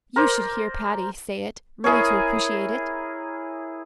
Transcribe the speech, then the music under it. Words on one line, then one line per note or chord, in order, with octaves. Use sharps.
You should hear Patty say it really to appreciate it.
A#4 C5 D5
E4 G#4 A#4 C#5